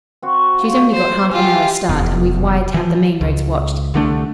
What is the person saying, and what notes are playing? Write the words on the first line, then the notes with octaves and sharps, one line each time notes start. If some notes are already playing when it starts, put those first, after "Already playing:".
She's only got half an hour's start, and we've wired to have the main roads watched.
C4 F#4
F4 C#6
C5
F4 G4 G#4 F5
F1 E2
E3 F3
C#2
C2 D3 A3 D4